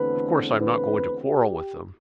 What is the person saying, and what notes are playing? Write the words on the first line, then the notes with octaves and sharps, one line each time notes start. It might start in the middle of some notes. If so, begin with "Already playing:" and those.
Of course I am not going to quarrel with them.
Already playing: E2 D3 A3 C4 B4
B4
G4